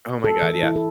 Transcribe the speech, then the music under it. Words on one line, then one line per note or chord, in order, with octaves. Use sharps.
Oh my god, yeah.
A4
E3
E4
A4